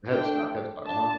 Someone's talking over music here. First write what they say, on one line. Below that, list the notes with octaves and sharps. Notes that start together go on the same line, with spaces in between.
Headstock Headstock, uh-huh.
D3 A3 D4 G5
D4 A5